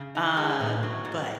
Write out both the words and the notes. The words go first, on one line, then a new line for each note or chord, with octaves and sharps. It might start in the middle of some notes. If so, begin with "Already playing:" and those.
uh, but,
Already playing: C#3
D#4
G#3
A2 B3
F#3
G#2